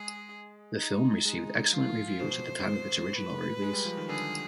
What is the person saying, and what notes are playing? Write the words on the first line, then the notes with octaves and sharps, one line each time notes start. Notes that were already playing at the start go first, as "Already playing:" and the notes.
The film received excellent reviews at the time of its original release.
Already playing: G#3 G#4
D#4
G#3 D#4
F3 F4
B2 C5
B4
G#3
G3
F3
D#3
D3 G#4